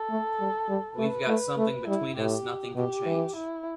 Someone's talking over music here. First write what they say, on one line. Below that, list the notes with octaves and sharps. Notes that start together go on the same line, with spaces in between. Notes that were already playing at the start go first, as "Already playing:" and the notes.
We've got something between us nothing can change.
Already playing: A4
A3
G3
G3
A3 B4
A3
A3
G3 E4
A2 G4
B2 G4
E3
E4